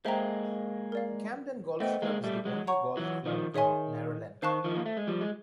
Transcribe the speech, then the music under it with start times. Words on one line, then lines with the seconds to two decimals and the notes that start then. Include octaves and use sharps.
Camden Golf Club is the only golf club in Narellan.
0.05 G#3 A#3 C5 E5 G5 A#5
0.92 A#4 D5 F5
1.80 A3 B3 C5 D#5 G5
2.02 G#3 A#3
2.24 G3 A3
2.45 F#3 G#3
2.67 C#5 F#5 A#5 C#6
2.97 E3 F#3
3.26 D#3 F3
3.54 D#3 G#4 C#5 E5 G#5 C6
4.42 D#3 C5 F5 A5 C#6 F#6
4.64 D#3 F3
4.76 A#3
4.86 A3
4.97 G#3
5.07 F3 G3
5.21 G#3